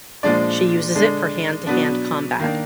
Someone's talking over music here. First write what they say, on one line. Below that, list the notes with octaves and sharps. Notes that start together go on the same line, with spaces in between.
She uses it for hand-to-hand combat.
A#2 F3 G#3 D4 D5
D3 G#3 D4
B2 F#3 B3 D4
D#3 A#3 D4